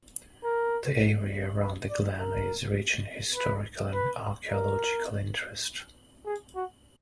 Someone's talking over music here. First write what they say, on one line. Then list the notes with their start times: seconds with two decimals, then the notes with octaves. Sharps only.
The area around the Glen is rich in historical and archaeological interest.
0.44 A#4
1.61 B4
1.90 D5
2.19 A#4
3.36 B4
3.94 B4
4.52 A#4
6.26 G#4
6.55 F#4